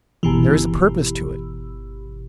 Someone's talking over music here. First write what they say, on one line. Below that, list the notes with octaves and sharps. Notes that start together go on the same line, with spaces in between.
There is a purpose to it.
G1 B2 E3